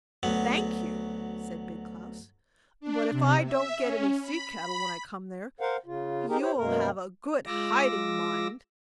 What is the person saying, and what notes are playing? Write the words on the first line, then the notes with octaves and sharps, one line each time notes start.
'Thank you,' said Big Klaus; 'but if I don't get any sea-cattle when I come there, you will have a good hiding, mind!'
D2 F#3 B3
D4
C3
E5
C#4
B5
B5
A#4 C5 F5 F#5
C#3 F4
D#4 G4 G#4 A#4
E4 G4 C5 C#5
F#2 B2 A#3 A#4
G#3 F4 D6 E6 A#6